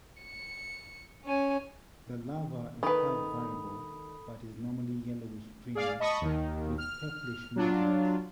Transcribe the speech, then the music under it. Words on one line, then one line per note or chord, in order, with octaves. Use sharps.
The larva is quite variable but is normally yellowish-green with purplish markings.
C#7
C#4 G#5
D#3 A4 B4 B5 D#6
G#4 D5 F5
D#5 A5 B5 C#6 D#6
D#2 D#3
F6
F#3 D4 F4